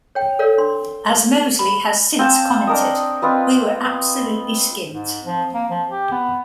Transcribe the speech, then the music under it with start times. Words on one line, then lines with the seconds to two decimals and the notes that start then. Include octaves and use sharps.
As Mosley has since commented: We were absolutely skint.
0.15 C#5 G5
0.39 A4 A#4 C#5 D5 F5
0.58 D4 C6
1.59 B5
2.19 C4 F5 G#5 A5
2.67 D4 A#4 D#5
3.22 C4 F4 B4 D#5
4.94 G#2
5.26 F3
5.54 A#3
5.70 F3
5.90 G4
6.12 B3